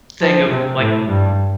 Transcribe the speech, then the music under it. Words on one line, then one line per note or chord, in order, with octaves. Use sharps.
thing of, like,
F3
C3
A2
G2